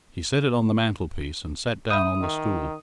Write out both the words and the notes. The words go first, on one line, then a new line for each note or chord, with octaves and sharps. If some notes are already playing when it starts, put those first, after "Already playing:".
He set it on the mantelpiece, and sat down on the stool.
E5 B5 D#6 G6
D#3